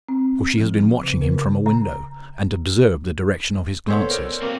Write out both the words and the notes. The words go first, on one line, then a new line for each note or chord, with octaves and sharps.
For she has been watching him from a window, and observed the direction of his glances.
C4
F3
C#3
A#4
A#5
A#2 B3 A4 C5 C#5
A#4 D5
F#3 A#3 C4